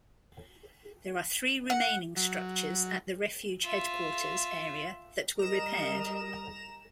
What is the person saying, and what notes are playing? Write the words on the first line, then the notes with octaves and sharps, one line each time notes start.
There are three remaining structures at the refuge headquarters area that were repaired.
F#5
F#3
F4 E5
G3 A#4 D#5 A#5 E7